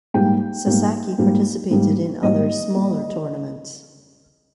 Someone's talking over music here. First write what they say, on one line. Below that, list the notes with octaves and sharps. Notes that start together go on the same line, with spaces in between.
Sasaki participated in other smaller tournaments.
G#2 G3 A#3 G5
G#2 G3 A#3
G#2 G3 A#3
G#2 G3 A#3
G#2 G3 A#3 D#5
G3 A#3